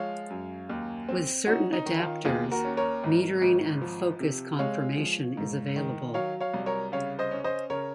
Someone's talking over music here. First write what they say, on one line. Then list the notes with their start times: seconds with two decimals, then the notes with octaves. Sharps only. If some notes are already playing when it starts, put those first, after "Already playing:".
With certain adaptors, metering and focus confirmation is available.
Already playing: F3 G#3 C#5 F5
0.30 F#2
0.69 D#2
1.09 C4
1.47 C#4 D#4 F#4
1.73 D#4
1.86 D#3
2.00 F4
2.25 D#2 F4 G#4
2.51 F#4 A#4
2.65 C#4
2.77 A#4 C#5
3.04 G#1
3.41 G#1
3.82 F3
4.20 C3
4.59 G#3 C#5 F5
4.98 F3
5.37 G#2
5.76 D#3
6.14 F#3 C#5 F5
6.40 C#5 F5
6.54 C2
6.66 A#4 C#5
6.92 C#3 C#5 F5
7.19 C5 D#5
7.31 C#4
7.44 C5 D#5
7.70 C#3 A#4 C#5